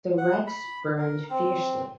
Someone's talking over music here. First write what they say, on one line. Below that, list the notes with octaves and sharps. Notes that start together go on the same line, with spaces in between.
The wrecks burned fiercely.
F#5
B5
A#4
C4